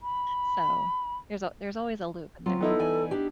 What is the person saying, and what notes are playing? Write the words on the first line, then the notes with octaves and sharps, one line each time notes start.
So, there's a there's always a loop in there.
B5
F#3 C4 F4
B3 D#4 E4 A4
E3 D5 G#5
D4 G4